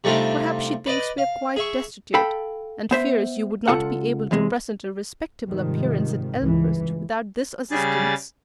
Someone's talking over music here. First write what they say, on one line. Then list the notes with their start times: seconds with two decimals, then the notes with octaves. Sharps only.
Perhaps she thinks we are quite destitute, and fears you would not be able to present a respectable appearance at Elmhurst without this assistance.
0.04 C3 G3 A3 D4 D#4 F4
0.86 B4 D5 D#5
1.18 F5
1.56 G#4 E5 C#6
2.14 A4 F5 G5 B5
2.91 B3 C5 E5
3.68 C#2 F4 A4 F#5
4.31 E2 C3 G#3
5.48 G#2 C3 D#3 F3 G3
6.39 C#2 G2 E3
7.71 C#3 G3 G#4 A6